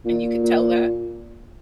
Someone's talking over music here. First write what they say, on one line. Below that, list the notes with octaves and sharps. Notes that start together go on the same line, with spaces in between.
and you could tell that?
A#2
A#2